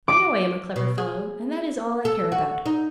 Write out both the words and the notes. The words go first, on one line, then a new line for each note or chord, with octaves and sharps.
I know I am a clever fellow; and that is all I care about.
D6
B2
G#4
A4
F#4
D#4